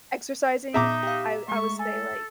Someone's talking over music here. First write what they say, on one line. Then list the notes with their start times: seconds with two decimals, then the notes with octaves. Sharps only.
exercising, I I would say, like
0.74 A#2 B3 D#4 G#4 E5 A#5 D6
1.03 G4 F5
1.48 G#3 A3 C#6
1.79 A4 G#5